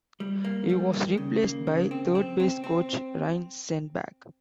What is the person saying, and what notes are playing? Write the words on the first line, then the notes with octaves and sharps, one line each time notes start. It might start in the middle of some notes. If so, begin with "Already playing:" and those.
He was replaced by third-base coach Ryne Sandberg.
G3
A#3
G3
D#2
C#3
A#3
C#3
C4
C4
C4
C4